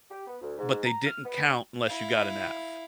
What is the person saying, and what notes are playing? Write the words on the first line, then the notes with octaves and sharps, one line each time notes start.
but they didn't count unless you got an F.
G4
B3
D2
G#2
A#5
F6
B3
D4
E4 F5